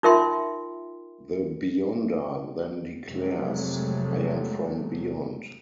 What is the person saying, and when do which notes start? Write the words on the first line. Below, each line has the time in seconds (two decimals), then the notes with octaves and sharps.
The Beyonder then declares: I am from beyond!
0.03 D#4 F4 A#4 E5 G5 C6
3.06 F2 C3 F#3 G#3 A3